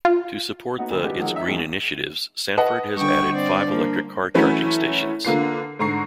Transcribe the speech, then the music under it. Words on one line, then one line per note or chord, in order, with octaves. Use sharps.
To support the its green initiatives, Sanford has added five electric car charging stations.
F4
B3 D#4 F#4
D2
G#1 F#4 G4 B4
D#3 F3 F#3 G#3
D#4 E5
G#1 E2 G#2
B4 D#5 F#5 A5
G2 D3 G5 C#6
C4 D5
F3 A#3
E3 F#3 A3 C#4 E4
D3 A#3 F4 B4 C7
G#2 D3 A#5 C#6 C7